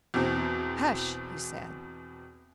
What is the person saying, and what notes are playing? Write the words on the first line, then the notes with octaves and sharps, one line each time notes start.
"Hush!" he said.
E2 B2 C4